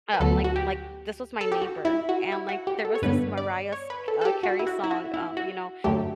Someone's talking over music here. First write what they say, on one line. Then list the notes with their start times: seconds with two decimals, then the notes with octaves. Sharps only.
um, like like, this was my neighbor, and, like, there was this Mariah s uh, Carey song, um, you know,
0.14 B4
0.20 D2 D3 F#3 B3 A4
0.44 F#4
0.56 G4
1.41 A4
1.52 G4
1.62 F#4
1.85 E4
2.09 F#4
2.32 E4
2.49 F#4
2.67 G4
2.85 A4
2.95 C#5
3.02 G2 D3 G3 B3 B4
3.38 D5
3.73 C#5
3.90 B4
4.08 A4
4.21 A4
4.25 G4
4.43 F#4
4.59 E4
4.67 F#4
4.84 E4
4.91 F#4
5.14 E4
5.37 F#4
5.84 F#2 D3 F#3 A3 G4